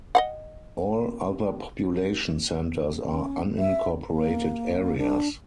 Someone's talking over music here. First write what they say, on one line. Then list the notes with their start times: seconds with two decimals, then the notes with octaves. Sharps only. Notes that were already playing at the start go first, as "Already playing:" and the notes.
All other population centers are unincorporated areas.
0.15 D#5 F5 F#5
3.07 C#4
3.58 E5
4.08 A#3
4.97 D4